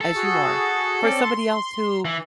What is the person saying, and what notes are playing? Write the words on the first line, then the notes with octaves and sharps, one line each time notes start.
as you are, for somebody else who
A4 E6
F#4 G#4
C4 C#4 D5
C6
E3